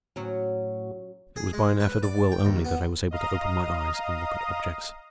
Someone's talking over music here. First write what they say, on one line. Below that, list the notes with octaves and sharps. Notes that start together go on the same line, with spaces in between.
It was by an effort of will only that I was able to open my eyes and look at objects.
A2 F#3 C#4 F#4
G#4
G#3
B4
D5
G5
D#2
B3
D#5 F5 A#5 D#6